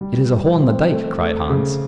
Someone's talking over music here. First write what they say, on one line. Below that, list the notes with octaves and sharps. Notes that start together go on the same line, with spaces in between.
"It is a hole in the dike!" cried Hans.
G3
G3
C4
A3
A3
C#3